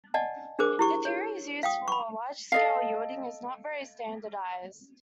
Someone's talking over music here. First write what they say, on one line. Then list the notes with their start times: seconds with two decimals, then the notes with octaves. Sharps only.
The theories used for large scale yielding is not very standardized.
0.14 D5 D#5 F#5 G#5 A5
0.59 D4 G#4 A#4 C5 D6
0.79 E4 G4 C#6
1.05 C#5
1.63 F5 G5 D#6
1.88 B5 C#6
2.52 A4 D#5 F5